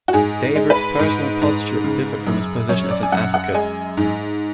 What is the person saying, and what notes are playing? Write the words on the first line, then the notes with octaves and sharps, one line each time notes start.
Davis's personal posture differed from his position as an advocate.
F#4
G#2 G#4
G#3
B4
G#2
G#2
C#3
F#2
F#2 C#5
D5
G#5
F#2 F#5
F#5
G#3 G#5
G#2